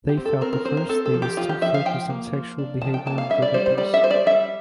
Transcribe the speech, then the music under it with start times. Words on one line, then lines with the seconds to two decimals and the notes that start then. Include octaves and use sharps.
They felt the first day was too focused on sexual behavior and drug abuse.
0.09 G4
0.17 C4
0.25 A4
0.41 C4 A#4
0.53 A#4
0.65 C4 C5
0.77 A#4
0.89 C4 A4
1.06 A4
1.14 F3
1.22 G4
1.37 F3 F4
1.49 G4
1.62 F3 E5
1.74 F5
1.86 F3 G5
2.10 A#3
2.33 F3
2.58 D4
2.81 F3 A5
2.94 G5
3.06 A#3 A5
3.18 F5
3.30 G3 E5
3.42 D5
3.54 G3 C5
3.66 C5
3.77 G3 D5
3.94 E5
4.02 G3 C5
4.11 D5
4.26 G3 E5